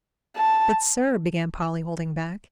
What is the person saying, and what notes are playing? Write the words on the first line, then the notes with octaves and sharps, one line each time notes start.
"But, sir--" began Polly, holding back.
A5